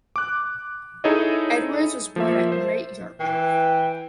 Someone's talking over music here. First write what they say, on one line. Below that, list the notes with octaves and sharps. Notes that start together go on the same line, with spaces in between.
Edwards was born at Great Yarmouth.
D6 F#6
D#4 E4 G#4 A4 C#5 D#5
F3 A#3 E5
C5
E3 G5